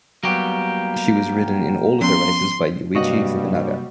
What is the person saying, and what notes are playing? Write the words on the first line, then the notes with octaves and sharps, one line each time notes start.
She was ridden in all of her races by Yuichi Fukunaga.
F#3 G3 A#3 B3 G4
F3 B3 C#4 C6
G2 C3 F#3 G3 A#3 F#4 D#5 F#5